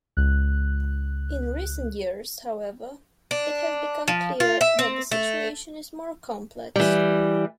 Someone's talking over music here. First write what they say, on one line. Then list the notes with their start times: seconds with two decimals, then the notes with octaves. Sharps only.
In recent years, however, it has become clear that the situation is more complex.
0.17 C#2 F#6
3.31 D4
4.08 F3
4.40 F4
4.61 E5
4.79 C4
5.11 A3
6.76 E3 G3